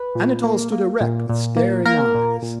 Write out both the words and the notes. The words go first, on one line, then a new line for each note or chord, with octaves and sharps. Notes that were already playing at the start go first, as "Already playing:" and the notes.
Anatole stood erect with staring eyes.
Already playing: B4
A#2
A#3
A#3
A#2
A#2
A#3
A#3 A#4
A#2
A#2